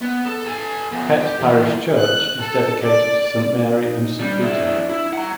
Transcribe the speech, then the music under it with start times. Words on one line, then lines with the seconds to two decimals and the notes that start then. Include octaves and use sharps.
Pett parish church is dedicated to Saint Mary and Saint Peter.
0.01 B3
0.26 A4
0.46 A4 G#5
0.92 F3 B3
1.20 G4
1.40 E3 A#3
1.98 F#6
2.39 A4
2.83 D5
3.78 D#4
4.20 G3 D4
4.41 F2 E4
4.89 E4
5.13 F#5 A#5